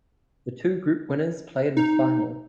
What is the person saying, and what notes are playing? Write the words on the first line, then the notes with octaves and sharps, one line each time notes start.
The two group winners play in the final.
D#4